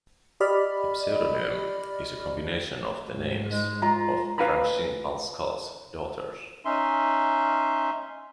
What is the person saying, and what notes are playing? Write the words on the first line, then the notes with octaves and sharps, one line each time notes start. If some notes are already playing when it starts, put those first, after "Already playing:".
The pseudonym is a combination of the names of Francine Pascal's daughters.
G4 D5 D#5 B5 F6
G#2
G#3
F4 A#5
B4 F5 G#5 A#5 B5
C#4 D#4 E5 C6